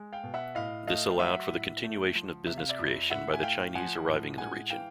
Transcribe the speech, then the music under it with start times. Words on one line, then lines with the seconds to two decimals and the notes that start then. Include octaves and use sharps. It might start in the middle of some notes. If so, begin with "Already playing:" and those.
This allowed for the continuation of business-creation by the Chinese arriving in the region.
Already playing: G#3
0.13 F5 G5
0.24 B2
0.34 E5 F#5
0.55 A2 D#5 F5
0.87 A3 D#5 F5
1.19 F#3 E5 F#5
1.51 A2
1.84 A3
2.15 F3
2.47 C3 E5
2.58 F5
2.69 D5 E5
2.79 F2
3.10 A2 E5 F#5
3.33 G#5
3.42 A3 F5 G5
3.75 F3 F#5 G#5
4.06 A2
4.38 G#3 F#5 G#5
4.70 E3 F5 G5